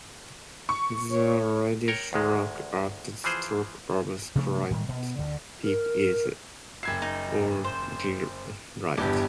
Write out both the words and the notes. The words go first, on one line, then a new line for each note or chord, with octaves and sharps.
The reddish rock at the top of Crypt Peak is argillite.
C#6
C#5
A#4 C#5 G5
D2 D#3 G#3
E3 F3 G#4 C5
C3 F3 A3 D4
A2 D#3 G3 G#3
B2 B3
D2 D3
A#4
F#1 E5 G#6 C7
D#4
C5
G1 E2 G2 G4